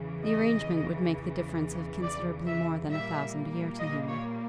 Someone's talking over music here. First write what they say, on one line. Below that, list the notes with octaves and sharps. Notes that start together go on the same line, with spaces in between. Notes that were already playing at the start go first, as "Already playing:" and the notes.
The arrangement would make the difference of considerably more than a thousand a year to him.
Already playing: E2 C#3 E3
D#5
D5
E5
A#2 G3 A#3 E5
D#5
C#5